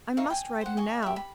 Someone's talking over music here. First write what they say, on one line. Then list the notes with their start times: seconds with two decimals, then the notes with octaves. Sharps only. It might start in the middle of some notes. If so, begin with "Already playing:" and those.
I must ride him now.
0.17 D#4 E5 F5 C#6
0.30 G5 G#5
0.61 C5 F#5
0.77 D#5 G#5 C#6
1.02 G4 E5
1.16 B5